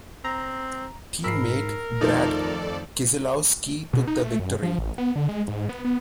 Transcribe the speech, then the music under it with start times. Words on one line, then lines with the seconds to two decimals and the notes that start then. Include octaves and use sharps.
Teammate Brad Keselowski took the victory.
0.24 C4 A#5
1.24 G#2 A#4 B5 E6 C7
2.01 F2 D#3 F3 A3 D#4 A4 D5
3.93 B2
4.08 D#4
4.23 A3
4.39 F#2
4.63 F3
4.79 A1
4.98 B3
5.16 D3
5.29 G#3
5.48 G#2
5.69 B3
5.85 B3